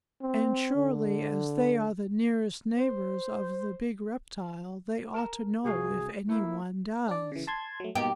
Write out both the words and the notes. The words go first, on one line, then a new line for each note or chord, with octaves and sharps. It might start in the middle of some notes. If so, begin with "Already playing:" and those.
And surely, as they are the nearest neighbors of the big reptile they ought to know if any one does.
C4
D3
C5
A#4 A5 A#5
C2 F#4 G#4 F5
A3 A#3 E4
D4 D5
C#3 E3
A5 C6 G#6
F#3 A3
B2 A#3 D#4 G4